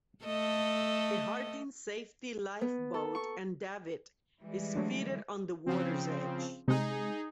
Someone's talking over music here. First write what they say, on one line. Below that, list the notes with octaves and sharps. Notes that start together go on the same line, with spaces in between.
A Harding safety lifeboat and davit is fitted on the water's edge.
A3 A4 D#5
B3
A4
C#6
E3 G3 G#3
D3 F#3 A3
C#3 F3 C4
C3 G#3 D#4 G#4